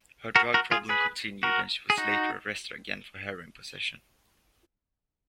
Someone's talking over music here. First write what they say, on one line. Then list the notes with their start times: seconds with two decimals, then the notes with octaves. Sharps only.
Her drug problem continued and she was later arrested again for heroin possession.
0.36 F#4 A#4
0.54 F#4 A#4
0.71 F4 G#4
0.89 G#4 B4
1.43 F#4 A#4
1.90 G#4
1.98 D#4 F#4